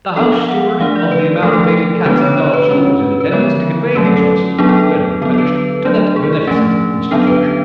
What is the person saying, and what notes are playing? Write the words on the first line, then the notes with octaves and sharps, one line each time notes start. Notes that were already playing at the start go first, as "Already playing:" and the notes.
The housesteward of the amalgamated cats' and dogs' home was in attendance to convey these vessels when replenished to that beneficent institution.
F3 B3 D4 A4
F5
F#5
F#5
F3 A3 D4 F5
D5
B4
F3 A3 D4 A4
A4
A4
D3 G#3 B3 D4 B4
C#5
C#5
B4
G#3 C#4
B4
B4
D3 F3 G#3 B3 C#5
F#3 A3 C#4 B4
A4
A4
F#3 B3 D4 G#4
A4
A4
D3 F#3 B3 A4
A4
B4
F#3 A3 D4
G#4
G#4
F3 A3 C#4
D3 F#3 B3 D4 A4
B4